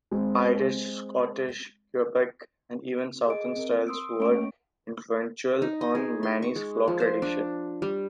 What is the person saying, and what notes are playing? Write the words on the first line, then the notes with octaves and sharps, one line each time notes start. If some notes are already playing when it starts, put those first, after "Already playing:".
Irish, Scottish, Quebec, and even southern styles were influential on Maine's folk tradition.
G#3 C4
G#4 D#5 D7
C4 A#4
C6 D#6 E6 D7
A3 A#3 C#4 C#5 C#6 D7
D#4
D#5
G#4
C6
C#6
G#3
F3
C5
D4
G3